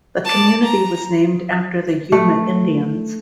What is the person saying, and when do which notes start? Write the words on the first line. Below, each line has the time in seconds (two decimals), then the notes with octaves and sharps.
The community was named after the Yuma Indians.
0.25 D5 A5
0.63 A#5
2.12 A3